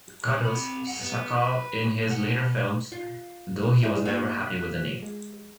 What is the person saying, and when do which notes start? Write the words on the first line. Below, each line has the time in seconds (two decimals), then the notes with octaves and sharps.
"Cuddles" Sakall in his later films, though he was never happy with the name.
0.25 A#2 G3
0.45 C4 B5
0.87 G2 F#5
1.01 B3
1.36 B4
2.07 B2 F#5
2.92 F4
3.83 G2 D#3 E4 G#4
4.05 A#3 F4 F#4
4.47 F#6 B6
5.02 G#3